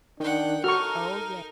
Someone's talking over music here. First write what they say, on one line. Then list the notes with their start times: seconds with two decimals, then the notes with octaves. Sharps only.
Oh, ye
0.20 D#3 D4 F#5 G5
0.64 D#4 F#4 A4 A#4 C#6 F6